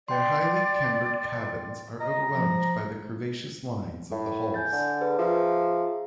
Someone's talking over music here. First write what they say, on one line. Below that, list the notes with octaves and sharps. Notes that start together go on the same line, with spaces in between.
Their highly cambered cabins are overwhelmed by the curvaceous lines of the hulls.
D5 G5 C6
D#5 A#5
F3
A2
G#5 G6 A6
D3
G#4 B4
F3 G#4 E5 A#5